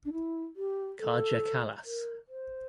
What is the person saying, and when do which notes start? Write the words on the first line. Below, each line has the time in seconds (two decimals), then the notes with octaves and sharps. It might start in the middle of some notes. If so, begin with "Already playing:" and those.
Kaja Kallas.
0.05 D4
0.13 E4
0.56 G4
0.99 A4
1.85 A#4
2.28 C5